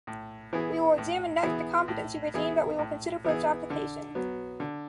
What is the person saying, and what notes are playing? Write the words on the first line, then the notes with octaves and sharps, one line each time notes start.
We will examine next the competency regime that we will consider for its application.
A2
E3 B3 E4 G#4
A2
E3 B3 E4 G#4
A2
E3 B3 E4 G#4
A2
E3 B3 E4 G#4
D3
F#3 B3
D3